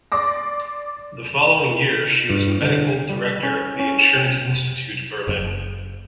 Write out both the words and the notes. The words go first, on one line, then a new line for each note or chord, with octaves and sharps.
The following year she was medical director of the Insurance Institute Berlin.
D5 C6 D6 A#6
G2
D3
G3
C#4
C#4
F#1